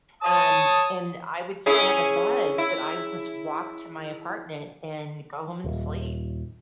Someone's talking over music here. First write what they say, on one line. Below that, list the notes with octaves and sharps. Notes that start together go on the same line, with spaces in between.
and and I would still have a buzz, but I would just walk to my apartment and go home and sleep
C#5 A5 D#6
C#4 E4 G#4
E4
D#1